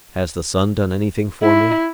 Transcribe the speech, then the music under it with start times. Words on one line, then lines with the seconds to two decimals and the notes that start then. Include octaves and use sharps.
Has the sun done anything for me?
1.43 E4